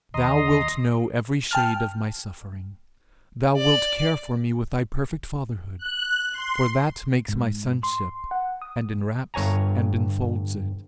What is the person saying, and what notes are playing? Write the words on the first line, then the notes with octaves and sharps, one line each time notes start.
Thou wilt know every shade of my suffering; thou wilt care for me with thy perfect fatherhood; for that makes my sonship, and inwraps and infolds it.
D#2 D#5 A#5 C6 D#6
G5 A5 F6
D5
F#6
C6
G#2
C6
F#5
D#6
G1 G2 C#5 G#5 A#5